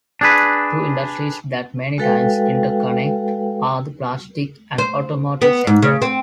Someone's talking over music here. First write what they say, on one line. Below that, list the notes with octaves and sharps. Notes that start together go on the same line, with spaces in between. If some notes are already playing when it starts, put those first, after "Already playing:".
Two industries that many times interconnect are the plastic and automotive sectors.
D4 G#4 B4
G#3 F#4 A4 B4 F5 G5
C5
B3
G#2
C#3
C4